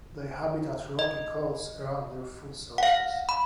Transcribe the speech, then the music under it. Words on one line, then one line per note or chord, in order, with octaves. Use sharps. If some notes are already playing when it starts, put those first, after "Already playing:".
They habitat rocky coasts around their food sources.
D#5
F#5
F5
B5